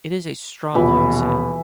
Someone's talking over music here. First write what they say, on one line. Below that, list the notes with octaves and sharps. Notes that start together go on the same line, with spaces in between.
It is a strong oxidant.
D#1 B2 E3 F4